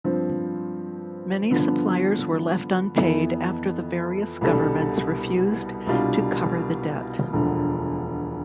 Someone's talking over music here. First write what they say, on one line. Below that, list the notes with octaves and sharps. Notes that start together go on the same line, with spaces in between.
Many suppliers were left unpaid after the various governments refused to cover the debt.
G2 F3 C4
G2 D3 F3 B3
F2 E3 B3
C2 B2 G3 D4 A4
C2 B2 G3 D4 F4
E1 D2 D3 F3